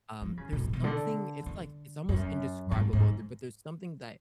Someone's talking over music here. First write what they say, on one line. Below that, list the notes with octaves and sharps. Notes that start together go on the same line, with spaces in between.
Um, there's something it's, like it's almost indescribable, b but there's something that
F3
C#3
B2
A2
B2
D3
D3
F#2
G#2
G#2